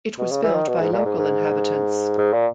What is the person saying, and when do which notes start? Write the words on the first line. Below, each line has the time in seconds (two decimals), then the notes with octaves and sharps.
It was built by local inhabitants.
0.18 B2
0.31 C#3
0.43 E3
0.55 D#3
0.67 B2
0.80 G#2
0.93 A#2
1.06 G#2
1.18 G#2
2.18 G#2
2.33 A#2